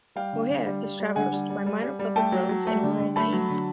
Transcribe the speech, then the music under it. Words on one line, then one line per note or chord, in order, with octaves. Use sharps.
Moher is traversed by minor public roads and rural lanes.
G3 F5 G5
D3
D3
G3
G3
G3
D3 F#5 G#5
G3
G3
G3
G3
G3
A3 G5 A5
F#3
F#3
A3
D3
D3
A3 A5 B5
F#3
D3